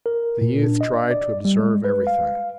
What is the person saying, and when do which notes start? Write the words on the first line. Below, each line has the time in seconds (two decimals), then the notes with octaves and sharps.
The youth tried to observe everything.
0.06 A#4
0.41 A#2
0.63 D4
0.81 D#5
1.11 D5
1.45 G3
1.59 G#3
1.84 B4
2.07 F5